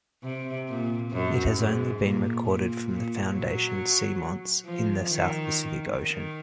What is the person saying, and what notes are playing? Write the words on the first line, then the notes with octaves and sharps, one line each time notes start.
It has only been recorded from the Foundation Seamounts in the South Pacific Ocean.
C3
A#2
F#2
G#2
A#2
A#2
A#2
F#3
F3
D#3
D#3